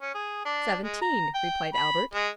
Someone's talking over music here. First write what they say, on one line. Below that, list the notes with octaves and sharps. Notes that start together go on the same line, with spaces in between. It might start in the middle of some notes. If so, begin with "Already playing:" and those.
"Seventeen!" replied Albert.
C#4
G#4
D4
G#3
A#5
G5
B5
G#3